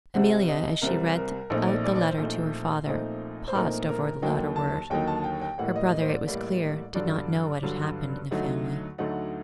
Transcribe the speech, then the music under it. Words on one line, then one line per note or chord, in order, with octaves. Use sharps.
Amelia, as she read out the letter to her father, paused over the latter word; her brother, it was clear, did not know what had happened in the family.
C2 C3 G3 C4 F#5
D#5
C2 C3 G3 C4 A#4
A#4
A#1 A#2 A3 C4 D#4
D5
D5
D5
C5
A#1 A#2 A3 C4 D#4
A#1 A#2 A3 C4 D#4
C5
A#1 A#2 A3 C4 D#4 A#4
A#4
D#2 D3 F#3 A#3 D#4 G5
A5
D#2 D3 F#3 A#3 D#4 G5
A5
G5
G5
A1 A2 G3 A#3 F#5
D#5
D#5
C5
D5
A1 A2 G3 A#3
G2 D3 F#3 D5
G2 D3 F#3
D2 D3 F#3 A3 D#4
D2 D3 F#3 A3 D#4 F#5